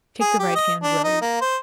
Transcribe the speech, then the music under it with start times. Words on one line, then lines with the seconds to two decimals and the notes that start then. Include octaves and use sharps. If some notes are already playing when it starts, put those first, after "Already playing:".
Take the right-hand road.
0.21 G#4
0.39 G4
0.55 D#5
0.83 D4
1.04 D#4
1.22 A#3
1.41 C5